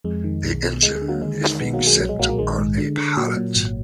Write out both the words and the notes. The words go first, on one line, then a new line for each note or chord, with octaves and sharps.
The engine is being sent on a pallet.
F2 G#3
D#3
B1
B2
D2 G#3
G#3
D3
F#3 A#3
D#2 G#3
D#3
B1 G#3 B3
F#3 A#3
B1
G#3
A#1 F#3
G#3
A#1 F#3 A#3
F#3 A#3
D#3 G#3
G#2
D3
D3
A#2 F#3
A#2
G#1